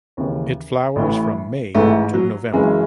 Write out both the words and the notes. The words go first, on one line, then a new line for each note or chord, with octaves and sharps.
It flowers from May to November.
D#2 C#3 E3
A1 A2 E3
A1 G#2 E3 A3
F#3
F#1 F#2 C#3 E3 G#3